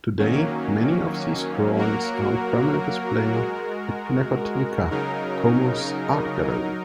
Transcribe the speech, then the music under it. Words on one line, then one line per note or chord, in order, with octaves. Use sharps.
Today, many of these drawings are on permanent display at Pinacoteca, Como's art gallery.
D#3 F#3 A#3 C#4
F#3 A#3 F#4 A#4
G#3 F#4 A#4
C#3 F#3 D#4 A#4
F#3 D#4 A#4